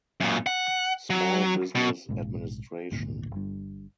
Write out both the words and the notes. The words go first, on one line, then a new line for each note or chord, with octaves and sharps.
Small Business Administration.
F#2 A#2
F#5
F#3
B2
A#1 G#2 C3
G#1 D2 A#2
G1 G2